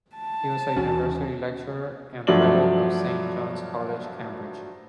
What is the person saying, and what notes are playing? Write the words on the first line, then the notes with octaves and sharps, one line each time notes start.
He was a University Lecturer and Fellow of Saint John's College, Cambridge.
A5
D#2 E3 C#4 F#4
G2 F3 F#3 A3 D5 F#7